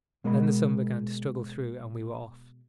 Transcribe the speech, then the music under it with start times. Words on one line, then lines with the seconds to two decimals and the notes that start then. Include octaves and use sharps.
Then the sun began to struggle through and we were off.
0.24 B2 G#3 A#4 D#5 B5